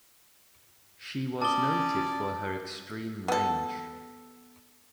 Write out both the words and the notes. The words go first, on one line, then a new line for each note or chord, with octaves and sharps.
She was noted for her extreme range.
C#4 D5 A5 D6 D#6 G7
B3 A4